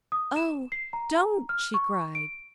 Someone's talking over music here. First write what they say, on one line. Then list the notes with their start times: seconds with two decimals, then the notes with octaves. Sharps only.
"Oh, don't!" she cried.
0.12 D#6
0.36 E7
0.72 C7
0.93 A#5
1.49 F6
1.74 C#6
2.15 D7